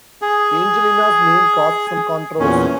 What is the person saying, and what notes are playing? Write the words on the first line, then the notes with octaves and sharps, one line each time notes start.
Angelina's name caused some controversy.
G#4
E2 A#2 C#4